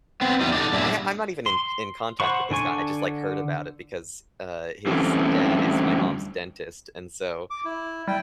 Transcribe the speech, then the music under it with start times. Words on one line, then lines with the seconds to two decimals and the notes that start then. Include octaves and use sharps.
I h I'm not even in t in contact with this guy. I just, like, heard about it because, uh, his dad is my mom's dentist, and so,
0.21 B3 C4
0.41 E2 G3 D#4
0.53 D4 D#4 G#4 A4
0.73 A#2 D3 G3 D4 G#4 E5
1.46 C6
2.20 C5 F#5 B5 C#6
2.51 D3 D4 G#5 C#6
4.87 D3 E3 G3 A3 C4 C#4
7.50 D6
7.65 E4
8.08 G3 E4 G5